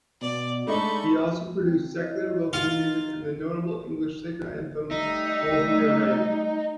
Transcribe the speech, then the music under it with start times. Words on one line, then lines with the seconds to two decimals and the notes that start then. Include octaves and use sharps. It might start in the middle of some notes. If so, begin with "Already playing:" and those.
He also produced secular vocal music and the notable English sacred anthem "Woefully arrayed".
0.21 B2 D5
0.67 G#3 A3 D4 D#4 A4 B5 C#6
1.59 C4
2.00 E4 C#5 D#5
2.53 D#4 F4
4.91 G3 A3 D#4 E5